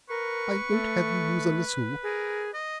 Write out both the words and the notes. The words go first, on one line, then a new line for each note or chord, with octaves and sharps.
I won’t have you use a lasso.
A#4 B4 C#6
A3
G#4 A#4
D#5